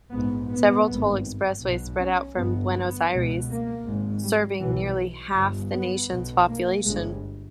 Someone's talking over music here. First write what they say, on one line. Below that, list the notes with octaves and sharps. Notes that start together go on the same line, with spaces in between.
Several toll expressways spread out from Buenos Aires, serving nearly half the nation's population.
A#1 G#2 B3
B3
G#1 G2
B1 B2
C#4
G1 G2 B3
B3
C#2 B2
A#3
G#1 G#2
G3
B1 B2 E3
G1 G2
B3
B1 B2
A#3
G1 G2 G#3